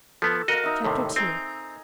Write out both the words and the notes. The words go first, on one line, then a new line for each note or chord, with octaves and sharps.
Chapter II.
F3 B3 A4
F#4 A#4 D#5 F5
D#4 E5
D#2 A2 C3 A4
C4 G#5 A#5